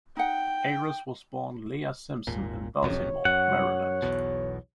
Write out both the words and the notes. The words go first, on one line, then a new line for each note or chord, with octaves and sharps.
Ayres was born Leah Simpson in Baltimore, Maryland.
D#4 F#5 G5
G#1 D#2 A#2
B1 F2 C3 C#5
F#2 F#5
B1 E2 B2